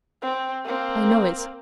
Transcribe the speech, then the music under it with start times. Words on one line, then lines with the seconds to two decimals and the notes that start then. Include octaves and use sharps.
"I know it."
0.22 C4
0.65 A#3 C4